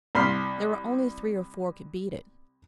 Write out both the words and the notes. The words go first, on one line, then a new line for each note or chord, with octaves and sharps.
There were only three or four could beat it.
C2 B5 C6 F6